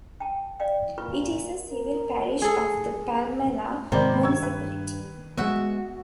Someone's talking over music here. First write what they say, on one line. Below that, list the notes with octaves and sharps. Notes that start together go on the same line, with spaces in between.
It is a civil parish of the Palmela Municipality.
G5 A5
D5 F5 G5
A#2 F4 B4 C#6
A#4
G#4 A4
G#2 C3 D#3 C4 C5 D5 B5
G2 C#6 E6 G#6
B4
G#3 A3 B3 F#4 E5